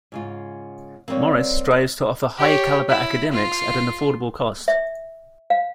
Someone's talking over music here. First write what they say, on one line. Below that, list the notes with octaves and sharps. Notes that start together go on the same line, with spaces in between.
Morris strives to offer high-caliber academics at an affordable cost.
G#2 C#3 F4
G3 A#3 C4 B4 C#5
D#4
G4 C#5
E4 B5
F4 F5
E5
F5